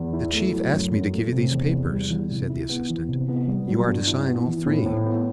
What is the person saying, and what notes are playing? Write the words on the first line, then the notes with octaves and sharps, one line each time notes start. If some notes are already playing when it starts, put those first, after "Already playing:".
"The Chief asked me to give you these papers," said the assistant. "You are to sign all three."
Already playing: E2
E4
A3
F#3
F#2
F#2
A3
C3
E2
E2
G3
E3
C3
E4
B3
E3
C3
B3
G3
F#3
G2
E4
B3
E3
A2
A2
B3